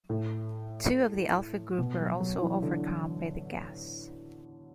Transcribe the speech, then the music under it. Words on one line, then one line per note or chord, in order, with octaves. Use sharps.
Two of the Alpha Group were also overcome by the gas.
A2
B2
F#3
F#3
E3
D3